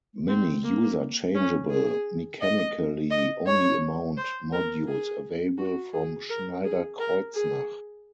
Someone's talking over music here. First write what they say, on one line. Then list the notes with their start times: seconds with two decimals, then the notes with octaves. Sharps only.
Many user-changeable mechanically-only mount modules available from Schneider Kreuznach.
0.28 C4
0.63 A#3
1.35 C#4
1.70 G#4
2.41 D#5
3.11 D#5
3.47 C#5
4.17 C5
4.53 A#4
4.88 G#4
5.58 F#4
5.93 G#4
6.30 A#4
6.64 G#4
7.00 A#4
7.35 G#4